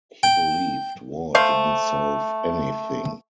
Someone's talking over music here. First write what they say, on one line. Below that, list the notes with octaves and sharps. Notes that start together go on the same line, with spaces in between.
He believed war didn't solve anything.
G5
A3 C5 F5